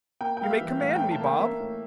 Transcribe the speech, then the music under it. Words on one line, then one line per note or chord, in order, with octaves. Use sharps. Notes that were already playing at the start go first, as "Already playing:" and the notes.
You may command me, Bob.'
A#3 G5
G5
G3 F5
E5
E3
A2 F5
G5
A2
A5
A#3
G5
A#3 E5
A2